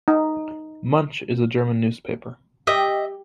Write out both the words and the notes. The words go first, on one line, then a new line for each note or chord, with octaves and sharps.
Munch in a German newspaper.
D#4
G4 D#5 E5